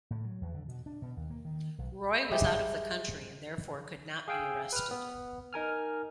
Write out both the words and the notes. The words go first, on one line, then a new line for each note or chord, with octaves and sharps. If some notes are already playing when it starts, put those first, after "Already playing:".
Roy was out of the country and therefore could not be arrested.
A2
F#3
E2
D3
B2
D4
B2
D#2
A#3
D#3
B1
G3 G#3 E5
G#4 F5 G5 G#5 E6
B4 F6
B3
D#4 A#4 G#5 F6